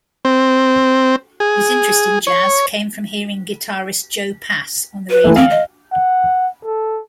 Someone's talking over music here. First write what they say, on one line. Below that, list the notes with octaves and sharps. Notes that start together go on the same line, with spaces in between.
His interest in jazz came from hearing guitarist Joe Pass on the radio.
C4
G#4
C#5
B4
E3 A3
C4 F5
D#5
F#5
A4